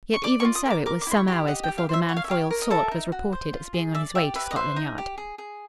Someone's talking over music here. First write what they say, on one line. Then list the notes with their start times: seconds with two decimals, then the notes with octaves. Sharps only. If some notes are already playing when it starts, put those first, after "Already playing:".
Yet, even so, it was some hours before the man Foyle sought was reported as being on his way to Scotland Yard.
0.14 C#6
0.23 D5 D6
0.40 C#6
0.45 F4
0.55 D#6
0.66 A#4 D6
0.86 A#4 D6
1.01 D6
1.07 E4 C6
1.16 C#6
1.28 G4 C6
1.47 D#5 F#5
1.63 G5
1.68 G4
1.78 F5
1.89 C5 E5
2.09 C#5 F#5
2.16 F5
2.24 E5
2.29 G4 F5
2.50 A#4
2.61 D#5
2.70 A4 E5
2.91 D#4
3.12 F#4
3.32 C5
3.53 F4
3.74 G#4
3.95 D5 E5
4.15 G4 E5
4.35 B4 E5
4.51 D#5
4.56 C5 E5
4.76 D#4
4.98 G4
5.18 G#4
5.38 G#4